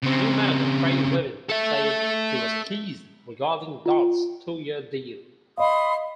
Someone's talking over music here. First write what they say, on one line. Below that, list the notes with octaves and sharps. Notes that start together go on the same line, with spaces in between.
New manager Craig Levein said he was "pleased" regarding Dods' two-year deal.
C#3 C4
A4 E5
F4
D#5 F5 B5 C6 D#6